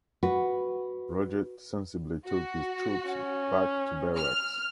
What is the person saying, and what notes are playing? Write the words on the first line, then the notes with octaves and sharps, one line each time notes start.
Roget sensibly took his troops back to barracks.
F#4 B4
F#4
C#4
F6